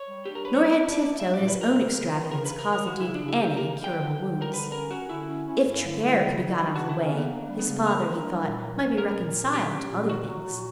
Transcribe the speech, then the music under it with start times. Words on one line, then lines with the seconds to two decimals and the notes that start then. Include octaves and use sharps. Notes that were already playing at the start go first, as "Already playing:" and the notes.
Nor had Tifto and his own extravagance caused the Duke any incurable wounds. If Tregear could be got out of the way, his father, he thought, might be reconciled to other things.
Already playing: C#5
0.09 G3
0.25 D4 G4
0.35 A#4
0.45 G3 B4
0.54 C#5
0.65 D4 D5
0.83 D4
0.92 D5
1.02 A#3
1.20 G3 E5
1.34 D5
1.39 A#2
1.48 B4
1.57 A#2 A#4
1.76 C#3
1.94 C#3
2.12 E3
2.31 C#3 A#4
2.45 C#3 B4
2.58 A#4
2.69 E3 A#4
2.87 C#3 F#4
3.00 C#3 E4
3.15 D4
3.24 C#3 E4
3.42 C#3 G4
3.56 C#3 A#4
3.79 G3 G5
3.98 D3
4.17 D3
4.35 G3
4.42 A#4
4.54 D3 B4
4.72 C#4 A#4
4.90 C#4 F#4
5.09 D3 E4
5.27 C#4
5.46 C#4
5.64 G2
5.83 D3
6.02 G3
6.20 C#3
6.39 G3
6.57 D4
6.76 C#3 F#4
6.89 E4
6.95 C#3
7.03 C#4
7.13 A#3 B3
7.32 D4
7.50 G3
7.59 B3
7.68 C#3
7.87 A#3 A#4
8.06 D4
8.24 G3
8.43 A#2
8.61 F#3
8.80 C#4
8.98 F#3 A#4
9.17 A#2
9.35 A#2
9.54 F#3 G4
9.72 C#4
9.91 A#2
10.09 F#3 F#4
10.28 F#3
10.46 A#2